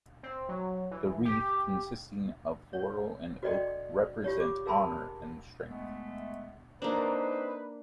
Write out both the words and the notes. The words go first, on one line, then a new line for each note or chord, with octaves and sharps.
The wreath, consisting of laurel and oak represent honor and strength.
C4
F#3
E3
G4
C#5
F#4 A4 D5 D#5 G5
F4 G4 C#5
D6
G#4 A#4 G#5 A5 B5 C6
G#3 A3 B3
A#3 C4 D4 D#4 B4 C5